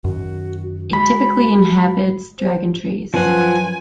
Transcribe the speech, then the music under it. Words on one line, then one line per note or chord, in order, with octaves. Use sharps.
It typically inhabits dragon trees.
F#2 D#3 F#4
G#3 F#4 B5
C5
F#2 F3 B4 F#5 G#5